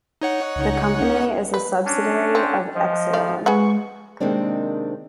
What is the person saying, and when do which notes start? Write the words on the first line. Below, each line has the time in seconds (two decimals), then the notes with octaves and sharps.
The company is a subsidiary of Exelon.
0.22 D#4 C#5 F#5
0.56 C#2
1.01 C#4
1.54 B4
1.85 C#4 D4
2.35 C4
2.75 F3 D#5
3.13 A3 D5 F5
3.46 G#3 G#4 B4 F#5 C#6
4.20 C3 D#3 G#3 A#3 C4 D4